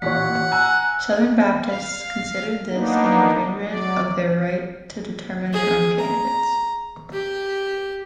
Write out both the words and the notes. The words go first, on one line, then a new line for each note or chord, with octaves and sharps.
Southern Baptists considered this an infringement of their right to determine their own candidates.
A1 A#2 C#5 F#5 B6
G#5 A#5 E6 F#6
F5
A#3 B3 D4 D#4
F#3 D5
G#4
A#5
G4